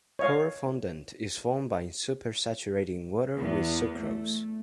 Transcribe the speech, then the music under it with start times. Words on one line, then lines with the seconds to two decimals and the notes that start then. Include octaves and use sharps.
Poured fondant is formed by supersaturating water with sucrose.
0.19 C#5 D#5 F5
3.36 E2 B3
3.95 A3